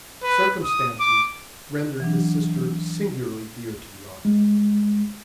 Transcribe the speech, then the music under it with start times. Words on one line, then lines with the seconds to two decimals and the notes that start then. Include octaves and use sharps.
Circumstances rendered this sister singularly dear to the author.
0.23 B4
0.64 D#6
1.00 D6
2.00 E3 F#3 D4
4.25 G#3